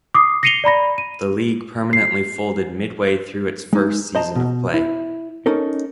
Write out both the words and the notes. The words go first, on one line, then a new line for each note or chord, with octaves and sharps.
The league permanently folded midway through its first season of play.
D6 D#6 C7
A#6 C7 C#7 D#7 F7 G7
D5 A#5 B5 A#6
D#7
C7
G#3 D#4
C5 D#5 A5 A#5
B2
E4
C#4 D#4 A4 A#4